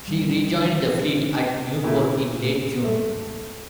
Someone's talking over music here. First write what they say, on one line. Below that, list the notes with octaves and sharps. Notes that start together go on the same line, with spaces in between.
She rejoined the fleet at Newport in late June.
D#3 G3
A#2 D3 E4
A3